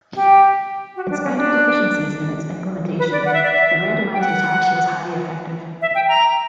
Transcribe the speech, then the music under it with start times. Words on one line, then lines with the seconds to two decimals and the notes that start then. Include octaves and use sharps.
In spite of deficiencies in its implementation, the randomized attack was highly effective.
0.15 G4
0.96 F#4
1.10 D4
1.23 C#4
1.37 D4
2.98 B4
3.12 D5
3.25 F#5
3.33 E5
3.43 D5
3.51 E5
4.13 G5
4.20 F#5
5.81 E5
5.95 G5
6.08 A#5